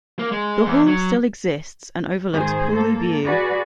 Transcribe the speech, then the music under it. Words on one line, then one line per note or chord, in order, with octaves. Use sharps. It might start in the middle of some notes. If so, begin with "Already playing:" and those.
The hall still exists and overlooks Pooley View.
A#3
G#3
E2
F#3
G#2 D#3 G#4 C5
A#3 A4
F#4 G#4 B4 D5